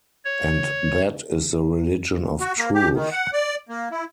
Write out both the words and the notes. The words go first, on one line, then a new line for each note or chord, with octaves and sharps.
And that is the Religion of Truth.
C#5
F#4
A#3
G4
D#3
F#5
D5
A#3
E4